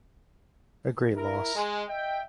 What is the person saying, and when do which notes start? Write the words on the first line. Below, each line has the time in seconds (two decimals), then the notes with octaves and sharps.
A great loss.
1.16 E4 A#4
1.55 G#3
1.89 D#5 E5 G5